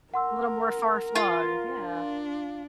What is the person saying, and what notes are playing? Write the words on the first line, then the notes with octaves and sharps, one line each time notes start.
A little more far-flung, yeah.
A#4 F#5 C6 E6
F4
D4